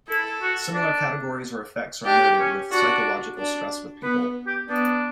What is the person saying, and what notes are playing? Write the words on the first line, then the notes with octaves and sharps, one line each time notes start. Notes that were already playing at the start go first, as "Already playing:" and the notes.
Similar categories or effects are noted with psychological stress with people.
E4 A4
F#4
D4
D4 G4
C#4
D4 F#4
D4
B3 B4
G4
B3 D4